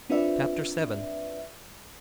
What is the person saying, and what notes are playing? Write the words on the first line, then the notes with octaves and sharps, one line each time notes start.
Chapter VII.
C4 D4 F4 B4 D5 E5